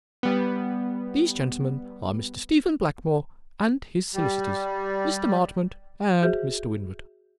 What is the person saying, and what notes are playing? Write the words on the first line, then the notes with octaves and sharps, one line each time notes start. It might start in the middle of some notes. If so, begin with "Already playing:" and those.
These gentlemen are Mr. Stephen Blackmore and his solicitors, Mr. Marchmont and Mr. Winwood.
G3 B3
G3
F#4 G#4 C5 E5